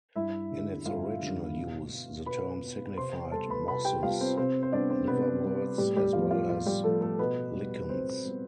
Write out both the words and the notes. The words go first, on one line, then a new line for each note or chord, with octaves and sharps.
In its original use the term signified mosses, liverworts as well as lichens.
G2 E4 E5
D3 G3
G2 F4 F5
D3 G3
B2
B3
B2 B4 B5
B3
C3 C5 C6
G3 B3 A4 A5
B4 B5
C3 B4 B5
G4 G5
G3 B3 F4 F5
C4 C5
C3 C4 C5
C5
G3 B3 D4 D5
C4 C5
C3 B3 B4
G3 B3
A2 G3 G4
G3 G4
F3 B3 F4
F4
A2 F4
G3 G4
F3 A3 B3 A4
A3 A4
B2 B3 B4
G3 B3
B2 C4 C5
G3 B3